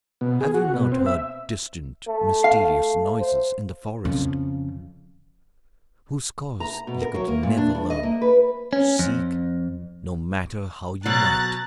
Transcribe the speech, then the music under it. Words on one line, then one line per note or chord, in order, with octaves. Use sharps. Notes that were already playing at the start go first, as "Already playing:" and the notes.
Have you not heard distant, mysterious noises in the forest, whose cause you could never learn, seek no matter how you might?
B2
G#4
F#4
B2
C4
E5
A3
F5
C5
F2 C#3
A#5
B2
A#4
F#3
A#3
A#2
D4
G2
D#5
A#3
B4
C#4
F2
B2 F#3 A#5 F#6 A6